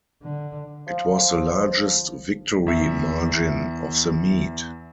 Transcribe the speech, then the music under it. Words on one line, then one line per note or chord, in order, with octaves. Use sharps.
It was the largest victory margin of the meet.
D3
F3
E2 E5